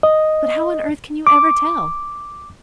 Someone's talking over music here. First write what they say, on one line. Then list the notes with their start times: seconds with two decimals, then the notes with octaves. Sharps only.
But how on earth can you ever tell?
0.03 D#5
1.27 D6